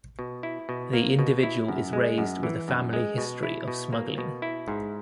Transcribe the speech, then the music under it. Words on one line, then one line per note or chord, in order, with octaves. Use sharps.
The individual is raised with a family history of smuggling.
B2
E4
B2
A#3
B2
E4
F#2
G#3
F#2
E3
F#2
G#3
B2
E4
B2
A#3
B2
E4
G#2